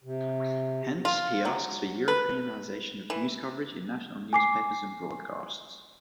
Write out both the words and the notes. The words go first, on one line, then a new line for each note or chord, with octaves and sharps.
Hence, he asks for a Europeanization of news coverage in national newspapers and broadcasts.
C3
F4
F#3
B4
E3
G#5 D6 C7